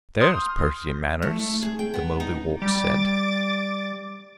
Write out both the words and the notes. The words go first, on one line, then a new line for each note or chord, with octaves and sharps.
"There's purty manners," the Mouldiwarp said.
C6 D#6 F6 G6
A3
A3
G#4
G5
B3
D#4
G3 D6 A6